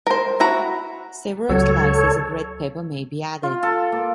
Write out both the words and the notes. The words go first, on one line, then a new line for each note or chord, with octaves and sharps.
Several slices of red pepper may be added.
A#4 C5
E4 F#4 A#5
C#2 F#3 A4 C#5
F4
A4
A#3